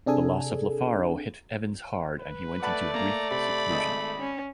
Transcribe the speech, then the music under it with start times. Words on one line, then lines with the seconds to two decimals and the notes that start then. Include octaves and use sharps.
The loss of LaFaro hit Evans hard, and he went into a brief seclusion.
0.06 C3 D4 G#4 A4 G#5
2.18 B4
2.62 A3 D5 F#5 A5 B5
2.94 A#3 A#5
3.31 C3 B5
3.70 G#1 D#5 A5
4.20 C#4